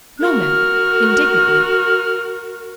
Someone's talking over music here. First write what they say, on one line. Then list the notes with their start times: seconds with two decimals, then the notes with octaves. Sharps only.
"No, ma'm," indignantly.
0.20 F#4 A#4 F6